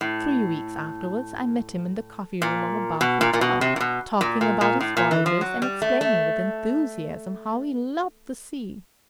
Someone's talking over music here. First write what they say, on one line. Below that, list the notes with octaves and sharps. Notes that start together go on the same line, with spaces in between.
Three weeks afterwards, I met him in the coffee-room of a Bath hotel, talking about his voyages, and explaining, with enthusiasm, how he loved the sea.
A2
A#2
B2
A#2
A#2
B2
C3
A#2
B2
A#2
A#2
A#2
A2
A#2
E3
F3
F#3
G3
A3
A3